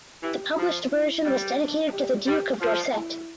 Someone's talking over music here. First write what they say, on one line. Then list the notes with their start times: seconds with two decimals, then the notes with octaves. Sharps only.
The published version was dedicated to the Duke of Dorset.
0.22 E3 G4
0.56 F3 F4
0.90 E4
1.24 G3
1.58 D4
1.92 G4
2.26 G3 G4
2.61 F3 F4
2.94 E4